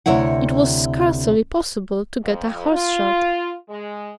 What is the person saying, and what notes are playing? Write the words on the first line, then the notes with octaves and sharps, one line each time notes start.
It was scarcely possible to get a horse shod.
D2 C3 E4 C#5 F#5
F2
F4
G#3